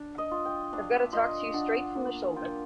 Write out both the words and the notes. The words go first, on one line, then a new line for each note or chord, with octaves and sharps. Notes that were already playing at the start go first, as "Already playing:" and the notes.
I've got to talk to you straight from the shoulder.
Already playing: D4
D#5
F4
G5
D4 F5
E5
F4 D#5
D4 F#5
A#3
F4 G5